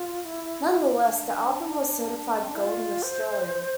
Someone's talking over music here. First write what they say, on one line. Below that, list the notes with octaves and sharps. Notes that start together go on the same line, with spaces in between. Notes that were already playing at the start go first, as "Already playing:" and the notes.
Nonetheless, the album was certified gold in Australia.
Already playing: F4
E4
E4
D4
C4
D4
E4
F4
C5